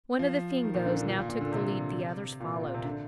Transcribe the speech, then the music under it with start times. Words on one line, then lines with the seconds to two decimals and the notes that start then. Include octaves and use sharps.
One of the Fingoes now took the lead; the others followed.
0.19 F3
0.64 D#3
0.74 A#2
0.86 D3
0.97 D3
1.08 A#2
1.19 A#2
1.29 A#2
1.41 D3
1.52 C3
2.40 A#2
2.63 A#2
2.74 C3
2.85 D3